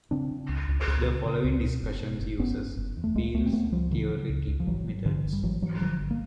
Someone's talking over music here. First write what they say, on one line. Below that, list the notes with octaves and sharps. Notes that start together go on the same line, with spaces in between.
The following discussion uses field theoretic methods.
C#3 C4 D4
C#3
C#2
C#2
C#2
C#3
C#3
C#2
B2
F#1
B2
F#1
F#1 B3 C#4
F#1
F#1
E2
A3
C#2 G#3 A#3
C#2 A3 B3
C4
C#2 A3 B3
C#2 F3 G3
C#3 E3 F#3
C#3
C#2
C#2
F3
G#1 E3 F#3
G2
G2 D3 E3
G#1
G3
G#1 E3 F#3
G#1 E3 F#3
D3 F3 G3
G#1
A#3